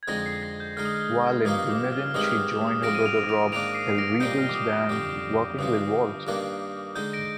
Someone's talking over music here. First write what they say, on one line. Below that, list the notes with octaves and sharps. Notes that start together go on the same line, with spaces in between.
While in Dunedin, she joined her brother Rob Hellriegel's band, Working With Walt.
G#6
F2 D3 G#3 C4 D#4 A#6
C7
A#6
G6
D3 G#3 D#4 F6
D#6
F6
G2 F3 A#3 D#4 D#6
D6
F6
F6
G2 D#3 G#3 C4 D#4 D#6
F6
D#6
D6
D#6
G#2 F3 C4 A#6 D7
D#7
D7 F7
D7 F7
G#2 D#3 A#3 D4 D7 F7
C7 D#7
C7
A#6 D7
A#2 G3 C4 D#4 G6
F6
D6
D#6
D#6
F2 D3 G3 D6
G2 D3 F3 D#6
G2 D#3 A#3 D4
D3 G#3 D#4 G6
A#6 D7